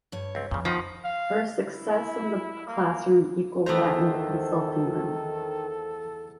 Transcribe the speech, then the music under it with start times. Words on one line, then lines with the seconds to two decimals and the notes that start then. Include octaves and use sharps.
Her success in the classroom equalled that in the consulting room.
0.12 G2 C#5
0.35 C#2 C4
0.51 F2 A#2 C#3
0.65 B2 D#3 F3 D#4
1.04 F5
1.66 E4
2.67 A#3
3.66 E2 D#3 A3 A4 C5 A#5